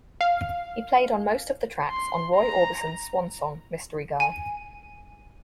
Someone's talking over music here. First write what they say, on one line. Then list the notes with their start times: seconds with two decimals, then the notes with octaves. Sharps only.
He played on most of the tracks on Roy Orbison's swansong "Mystery Girl".
0.21 F5
1.90 C6
2.35 A#5
4.20 G#5